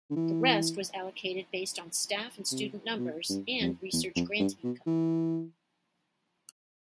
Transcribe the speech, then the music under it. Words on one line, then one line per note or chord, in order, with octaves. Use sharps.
The rest was allocated based on staff and student numbers and research grant income.
D3
E3
C3
B2
G2
F2
E2
F2
G2
B2
E3